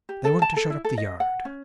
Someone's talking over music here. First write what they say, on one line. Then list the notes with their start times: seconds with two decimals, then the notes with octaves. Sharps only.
'They want to shut up the yard.'
0.09 G4
0.25 A4
0.42 A5
0.56 A4
0.70 E4
0.85 A4
0.98 D#5
1.20 F#5
1.45 C#4